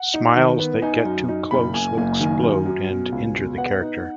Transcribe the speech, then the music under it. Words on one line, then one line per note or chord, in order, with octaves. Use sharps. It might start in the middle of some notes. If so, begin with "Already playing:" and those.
Smiles that get too close will explode and injure the character.
Already playing: F#5
D#4
D#3
B3
D#4 G#5
F#2
D#4
F#1 B5
F#1 G#5
F#1 G#5
D#3 G#5
F#2
F#2
B2
C#2
B2
B3 F#5
D#4